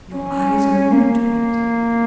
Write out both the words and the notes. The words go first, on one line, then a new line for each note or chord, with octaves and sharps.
Your eyes are new to it.
C#4
A#3